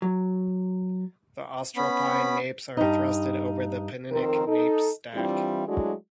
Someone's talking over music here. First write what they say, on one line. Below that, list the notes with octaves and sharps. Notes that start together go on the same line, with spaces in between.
The Austroalpine nappes are thrusted over the Penninic nappe stack.
F#3
B3 C#4 B5
G2 D#4
F2 D#3 C4 A#4
D#4 A4
E3 G3 C4 D4 E4 F4
F#3 G#3 A3 D4 E4 F#4